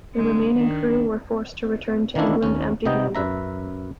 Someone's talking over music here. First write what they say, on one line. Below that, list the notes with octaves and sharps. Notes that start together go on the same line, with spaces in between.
The remaining crew were forced to return to England empty-handed.
D3 G#3
D#3 D4
D#3 E3 A#3 C#4 D4 E4
D#2 C#4
C3 B3 D#4 D#5 G5
F#2 B4 E5 A#5